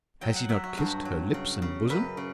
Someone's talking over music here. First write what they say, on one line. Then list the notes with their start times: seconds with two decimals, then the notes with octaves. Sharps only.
Has he not kissed her lips and bosom?
0.21 F#3 G5
0.36 F#5
0.49 F#3 E5
0.64 F#4
0.77 G2 F#4
1.05 F#3
1.34 C#3
1.62 C#3
1.89 F#2 B4
2.17 C#3